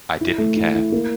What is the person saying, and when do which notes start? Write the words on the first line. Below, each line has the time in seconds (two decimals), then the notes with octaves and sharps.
I didn't care.
0.21 E4
0.38 A3
0.57 E4
0.74 E4
0.92 A#3